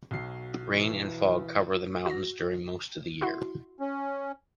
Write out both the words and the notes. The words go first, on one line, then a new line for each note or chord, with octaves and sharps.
Rain and fog cover the mountains during most of the year.
B1 F#3 C7
E3
F#4 A#6
E4 F#4 C6
C#4